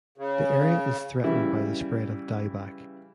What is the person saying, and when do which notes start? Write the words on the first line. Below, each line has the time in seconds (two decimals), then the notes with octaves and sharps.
The area is threatened by the spread of dieback.
0.18 C#3
1.24 C#3 E3 G3 E4